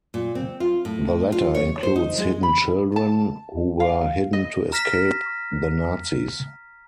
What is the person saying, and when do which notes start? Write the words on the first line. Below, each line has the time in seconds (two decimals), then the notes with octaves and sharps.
The latter includes Hidden Children, who were hidden to escape the Nazis.
0.14 A#2
0.35 C4
0.60 F4
0.85 A2
1.32 F4
1.55 C#5
1.83 C5
1.96 D#4
2.18 G#3
2.43 B5
2.96 A5
3.80 F5
4.33 D#5
4.72 A#5 F6 A#6 B6 E7